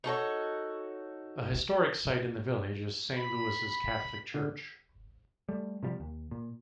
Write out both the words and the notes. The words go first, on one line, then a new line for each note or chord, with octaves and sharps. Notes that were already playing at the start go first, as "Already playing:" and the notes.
A historic site in the village is Saint Louis' Catholic Church.
D#4 F#4 A4 C#5
B5
D3
G3 A3
C3 F3 G3
D#2
A#2